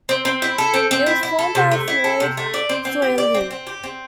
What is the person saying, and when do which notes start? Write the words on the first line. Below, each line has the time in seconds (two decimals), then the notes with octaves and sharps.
It was formed by Floyd Soileau.
0.09 C4
0.25 C4
0.42 E4
0.58 A4
0.74 C4
0.91 C4
1.06 E4
1.23 E4
1.39 A4
1.55 C3
1.71 A3
1.88 E4
2.04 A4
2.20 C3
2.37 A3
2.54 D5
2.69 C4
2.85 C4
3.02 G4
3.18 D5
3.35 C4
3.51 C4
3.67 G4
3.84 C4